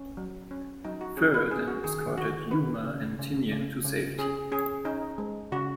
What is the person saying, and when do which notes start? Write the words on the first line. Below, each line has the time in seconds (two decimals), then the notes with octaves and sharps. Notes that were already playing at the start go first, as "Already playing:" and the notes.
"Fir" then escorted "Yuma" and "Tinian" to safety.
Already playing: C#4
0.17 F#3
0.51 C#4
0.85 F#3 D#4
1.01 F#4
1.17 C#4 G#4
1.34 B4
1.51 C#4 G#4
1.68 F#4
1.84 D#3 G#4
2.01 G#4
2.18 D#3 F#4
2.51 D#3 B4
2.84 C#3
3.19 C#3
3.52 C#3
3.85 C#3
4.19 C#4 G#4
4.52 C#4 G#4
4.85 C#4 D#4
5.18 G#3
5.52 C#3 F#4